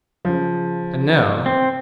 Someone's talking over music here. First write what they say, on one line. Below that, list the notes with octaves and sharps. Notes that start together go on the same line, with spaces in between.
And, now!
C#3 F3
C4